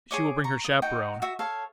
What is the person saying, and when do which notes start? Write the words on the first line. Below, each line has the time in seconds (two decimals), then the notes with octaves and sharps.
"She will bring her chaperone."
0.11 G#4 C#5 D6
0.44 A#5 C#6
0.65 D#6
0.82 D#4 F#4 F#5 G5
1.22 F#4 E5
1.39 A4 C#5 F5